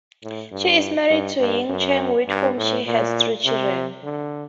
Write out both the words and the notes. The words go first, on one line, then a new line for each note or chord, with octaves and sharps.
She is married to Yee Chang, with whom she has three children.
A2
G2
G2
G2
F#2
G2
A2
A#2
C3
D3